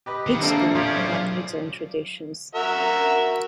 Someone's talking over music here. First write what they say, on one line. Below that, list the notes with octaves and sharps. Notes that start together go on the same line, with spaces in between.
Each school had its own traditions.
G4 B4 D#5
D#3 F3
A1 A#3 C4 D4 A4
F3 C#4 F4 G4 D5
A#1 F#3 G3
F#4 A#4 E5